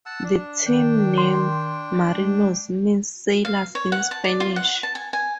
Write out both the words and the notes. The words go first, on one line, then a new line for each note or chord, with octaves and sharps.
The team name "Marinos" means "sailors" in Spanish.
F#5 A5 E6
D4
D#3 D4 G5
C6
G#3
F5
C#5
F#5
A5
D5
F4
F#5
A5
G#5
G#5